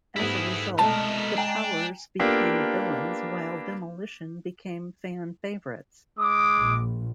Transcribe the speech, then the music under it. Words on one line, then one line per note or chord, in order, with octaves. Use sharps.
As a result, the Powers became villains while Demolition became fan favorites.
G#2 G3 A3 B3 E4 G#4
C2 B2 G#3 A3 B3 A#4 A5
D4 G5 G#5 A#5
A#3 B3 D4 F4 G4 A4
G#3 D6 D#6
A#1